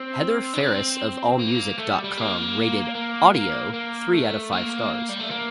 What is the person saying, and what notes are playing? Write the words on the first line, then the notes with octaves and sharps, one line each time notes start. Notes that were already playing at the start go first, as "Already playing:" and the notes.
Heather Phares of Allmusic dot com rated "Audio" three out of five stars.
Already playing: C4
D4
C4
A#3
A3
G3
G3
A#3
A#3
A#3
A#3
A3
A#3
G3
A3
A#3